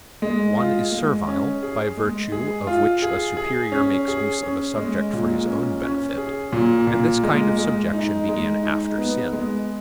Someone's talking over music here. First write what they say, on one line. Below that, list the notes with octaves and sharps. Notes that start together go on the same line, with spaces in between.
One is servile, by virtue of which a superior makes use of a subject for his own benefit; and this kind of subjection began after sin.
G#3
F4
G#3
C#4
G#4
G#3
G#4
F4
G#4
G#4
C#4
G#4
C#4
G#3
A#2
C#4
C#4
G#4
A#2
A#2
G#3
G#3
D#4
G#3
D#4
B3
G#3